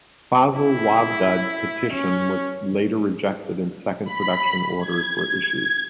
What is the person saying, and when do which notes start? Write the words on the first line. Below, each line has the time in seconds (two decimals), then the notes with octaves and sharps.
Faisal Wavda petition was later rejected and second production orders were issued.
0.59 E4
1.93 C#4
4.03 B5
4.79 G#6